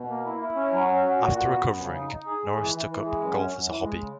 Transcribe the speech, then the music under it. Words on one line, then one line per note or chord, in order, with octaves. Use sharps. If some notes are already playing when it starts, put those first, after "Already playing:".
After recovering, Norris took up golf as a hobby.
Already playing: B2
A#3
E4
E4
C#4
F#3
C#4
F#4
A#2
F#4
B3
F#2
C#3
D#4
D#4
G#4
G#3
E3
E3
E3
G#3
F#2
C#4
F#2
E3
G#3
C#3